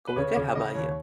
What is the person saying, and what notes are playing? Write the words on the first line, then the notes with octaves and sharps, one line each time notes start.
Going good, how 'bout you?
B4
C#3 C#5
C#3 C#5
C#3 D#5
D#2 C#5